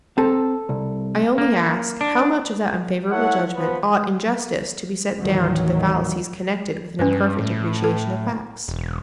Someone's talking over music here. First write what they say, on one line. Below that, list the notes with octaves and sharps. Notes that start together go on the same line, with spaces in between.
I only ask--How much of that unfavourable judgment ought in justice to be set down to the fallacies connected with an imperfect appreciation of facts?
C4 A4 A5 A#5
C2
A#3
D4
E4 A4 C#5 E5 F#5
F3 B3
A1 D#2 D#3 E3 F#3
G2 C#4 B4
A2
A4
E1